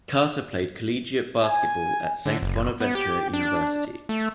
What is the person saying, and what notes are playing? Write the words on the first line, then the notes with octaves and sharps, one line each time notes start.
Carter played collegiate basketball at Saint Bonaventure University.
G#5
D3
F#1
B3
G4
D4
A3